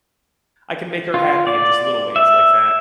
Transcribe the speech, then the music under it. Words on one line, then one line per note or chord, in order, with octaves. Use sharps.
I can make her happy in just little ways like that,
F4
D5
E5